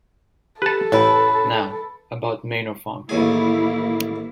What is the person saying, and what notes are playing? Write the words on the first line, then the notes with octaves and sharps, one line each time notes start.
Now, about Manor Farm.
G4 A4 B4 A5 C#7
A1 E4 B4 C#5 B5
A1 D#2 A#3 E4 G#4